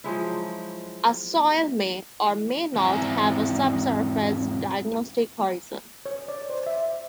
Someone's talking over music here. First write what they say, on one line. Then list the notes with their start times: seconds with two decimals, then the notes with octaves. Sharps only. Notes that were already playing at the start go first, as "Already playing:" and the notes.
A soil may or may not have a subsurface diagnostic horizon.
0.04 F3 F#3 G#3 E4
2.75 E2 G#2 C4 E4 G#5 A#5
6.06 C#5
6.28 D5
6.50 C5
6.67 E5